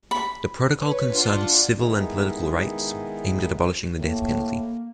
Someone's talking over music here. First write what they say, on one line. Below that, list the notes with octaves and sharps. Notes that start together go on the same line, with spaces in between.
The protocol concerned civil and political rights aimed at abolishing the death penalty.
B5
B4 C#5
D4 F4 F#5
D#3 G#3 B3 D#4 E4
A2 A#3